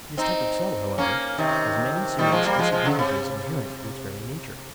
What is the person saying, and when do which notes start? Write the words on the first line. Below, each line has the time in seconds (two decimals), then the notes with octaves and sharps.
This type of cell, however, has many serious disadvantages inherent to its very nature.
0.17 C4 D#4
0.98 A#3 C#4
1.38 C3 D#3
2.18 D#3 G3
2.32 F3 G#3
2.45 G3 A#3
2.59 F3 G#3
2.72 F3 G#3
2.86 C#3
2.99 C3